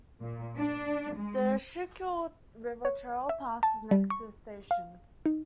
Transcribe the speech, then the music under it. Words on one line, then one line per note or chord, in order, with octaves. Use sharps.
The Schuylkill River Trail passes next to the station.
A#2
D4
G#3
C#5
E5
A5
G3
C#6
F5
D#4